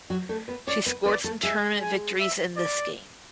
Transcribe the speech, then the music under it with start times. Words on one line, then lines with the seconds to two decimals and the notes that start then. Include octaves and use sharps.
She scored some tournament victories in this game.
0.10 F#3 F#4
0.29 A3 A4
0.48 B3 B4
0.67 C#4 C#5 D5
0.86 B3 B4
1.05 B3 B4 D5
1.24 A3 A4
1.43 G#3 G#4 E5
1.82 G#5
2.20 E5
2.57 D5